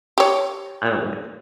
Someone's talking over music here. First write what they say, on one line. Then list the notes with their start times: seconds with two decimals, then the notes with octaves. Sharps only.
I don't li
0.18 G4 C#5